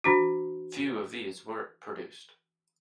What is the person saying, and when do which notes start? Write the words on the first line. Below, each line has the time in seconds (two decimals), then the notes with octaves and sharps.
Few of these were produced.
0.04 E3 D4 F#4